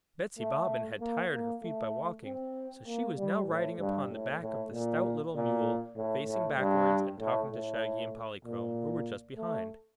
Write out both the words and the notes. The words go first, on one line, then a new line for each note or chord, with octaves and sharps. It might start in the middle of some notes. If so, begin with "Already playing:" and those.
Betsy Bobbin had tired her feet by walking, so she was now riding upon the back of the stout little mule, facing backward and talking to Shaggy and Polychrome, who were just behind.
A3
A#3
A#3
A3
C4
A#3
G3
A2
G2
A2
A2
A#2
A#2
A2
A2
G2
A2
A2
A#2
A3